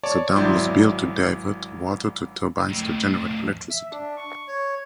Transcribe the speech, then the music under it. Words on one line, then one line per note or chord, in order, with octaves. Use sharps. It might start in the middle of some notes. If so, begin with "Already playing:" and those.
The dam was built to divert water to turbines to generate electricity.
C#5 D5 A5 C#6 D6
G#1 F#3 E4 D5 C6 G6
F2 A2
E5
D4
C#6
C#5